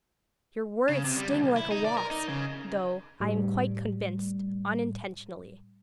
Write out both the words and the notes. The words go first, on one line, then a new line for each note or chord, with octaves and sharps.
Your words sting like a wasp, though, I am quite convinced, unintentionally.
C#3
C3
G3
D2
B1
E4
D#4
D5
A#4
D#4
C#3
A2 G3